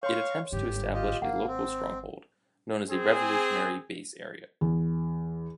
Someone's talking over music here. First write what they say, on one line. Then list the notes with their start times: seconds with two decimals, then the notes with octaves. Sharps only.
It attempts to establish a local stronghold known as a revolutionary base area.
0.03 C#5 F5 C6 C#6
0.52 G1 G#2 G4
0.94 F4 G4 D#5
1.22 G#1 A#3 F#5
1.47 C4
2.91 C4 G#4
4.61 E2